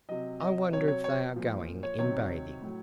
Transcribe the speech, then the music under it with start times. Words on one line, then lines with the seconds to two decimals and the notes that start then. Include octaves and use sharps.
"I wonder if they are going in bathing."
0.09 C3 F#3 D#5
0.41 D#5
0.72 C3 F#3 C#5
0.88 C#5
1.04 C#5
1.36 A#2 F3
1.83 C#5
1.99 C3 D#3 F#3 C#5
2.62 A2 F#3